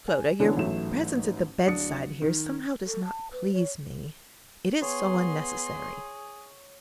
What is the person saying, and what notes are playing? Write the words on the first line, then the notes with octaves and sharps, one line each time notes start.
'Clodagh, your presence at the bed-side here somehow does not please me. It is so unnecessary.'
G#5
D3 E3 G#3 B3 C#4 D4
A1 G#2 F#3 A3 E7
D1 D4 D#6 C#7
D#3
A4
A5
B4
C#5
B3 G#4 C#5 C6